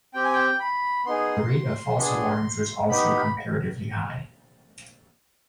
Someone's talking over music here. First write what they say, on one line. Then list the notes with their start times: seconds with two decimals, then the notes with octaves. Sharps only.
The rate of false alarms was also comparatively high.
0.14 C4 G4 G5
0.24 G#5
0.33 G5
0.60 B5
1.05 B3 D#4 G#4 C6
1.97 B3 D4 G#4
2.89 B3 D#4 G4 B5